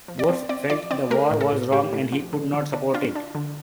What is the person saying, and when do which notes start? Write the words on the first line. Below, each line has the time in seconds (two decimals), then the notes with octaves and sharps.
Worf felt the war was wrong and he could not support it.
0.08 F3
0.19 D5
0.29 C4
0.49 C4 D5
0.70 F3 D5
0.91 C4 D5
1.11 A3 A#4
1.31 A2
1.41 A4
1.52 A2
1.72 A2 G4
1.93 A2
2.12 F3
2.33 D3
2.54 D3
2.73 D4
2.94 D4 F4
3.15 D4
3.35 D3